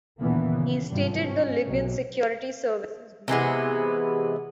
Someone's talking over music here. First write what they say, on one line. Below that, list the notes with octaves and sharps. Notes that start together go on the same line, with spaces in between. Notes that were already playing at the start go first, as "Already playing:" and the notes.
He stated The Libyan security services blew up the plane.
D#2 A#2 D3 E3 A#3 B3
C#3
G#1 G2 C3 F3 G3
C#4
B1 C3 F#3
C3 E3 G#3 B3